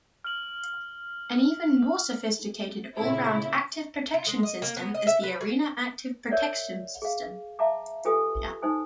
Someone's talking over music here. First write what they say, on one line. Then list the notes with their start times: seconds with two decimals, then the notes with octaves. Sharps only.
An even more sophisticated all-round active protection system is the Arena Active Protection System.
0.24 F6 F#7
2.97 A#2 C#3 E4
4.14 F4
4.27 G#3
4.43 D#5
4.62 A#3
4.77 B3
4.94 D#5
5.07 E5
5.23 B4
5.41 G#4
6.30 A#4 C#5 D5 E5 F#5
7.02 G#4 F5
7.59 E5 F5 A5 A#5 D6
8.05 F4 G4 A4 B4 G#5 D#6
8.62 D#4 C5 G#5 D#6